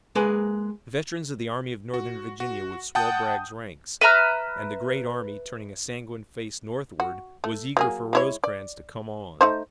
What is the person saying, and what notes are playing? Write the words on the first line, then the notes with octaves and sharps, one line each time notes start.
The veterans of the Army of Northern Virginia would swell Bragg's ranks, and the great army, turning a sanguine face northward, was eager for Rosecrans to come on.
G#3 A#3 G#4 B4
F#4
F#4
F#5 G5 A5 D#6 G6
B4 E5 A#5 F6
F#4
A3
F#3 A#3 G#4
G#3 E4 C#5
D5
A3 D#4 C5